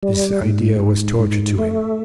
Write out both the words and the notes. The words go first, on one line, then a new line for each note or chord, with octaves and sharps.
This idea was torture to him.
G3
G#2
G#2
G#2
A3